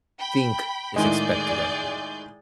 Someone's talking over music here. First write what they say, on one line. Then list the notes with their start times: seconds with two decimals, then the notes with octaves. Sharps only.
think is expected of you.
0.18 G5 B5
0.96 A2 D#3 G#3 G#4 D5 G6